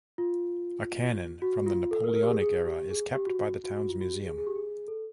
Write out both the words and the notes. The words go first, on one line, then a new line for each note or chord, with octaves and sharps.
A cannon from the Napoleonic era is kept by the town's museum.
F4
F#4
F4
A4
A#4
A#4
G4
G#4
G#4
G4
G#4
G4
F#4
F#4
F#4
F#4
F4
F#4
G4
G#4
G#4
G4
G#4
A4